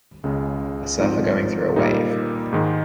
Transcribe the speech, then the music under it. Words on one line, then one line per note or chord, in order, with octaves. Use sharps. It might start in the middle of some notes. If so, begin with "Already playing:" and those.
A surfer going through a wave.
C#2 C#3 G#3
G#2 F3 C4 D#4
A#2 G3 A#3 D#4
G#2 D#3 G#3 D#4